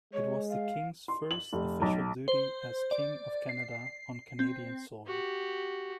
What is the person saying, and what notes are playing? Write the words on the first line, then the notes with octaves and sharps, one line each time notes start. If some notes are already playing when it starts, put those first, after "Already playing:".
It was the King's first official duty as King of Canada on Canadian soil.
G#3 C#5
F5
C6
F#7
F1
B1
C5
D5
C7
C4
F#4 G4